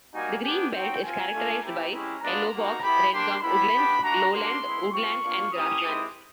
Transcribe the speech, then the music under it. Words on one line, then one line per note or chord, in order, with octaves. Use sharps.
The green belt is characterised by Yellow Box-Red Gum Woodlands, lowland woodland and grasslands.
G3 A#3 D#4 F#4 G#5
B3 D4 G4 G#5
C4 D#4 F#4 G5
C4 F4 G#5
A3 D4 F4
A3 C4 E4 G4 A#5
G#3 C#4 E4 G4
G#3 B3 D4 F4 A#5
A#3 D#4 F#4
B3 E4 G4 B5
A#3 D4 G4 C6
G3 B3 E4 B5
B3 D4 G4
A3 D4 F#4 A#5
A#3 D4 F#4 C6
G#3 B3 E4
C4 F4 C#6
A#3 D4 F4
A#3 C#4 E4 G4 D#6
G#3 C4 E4 G4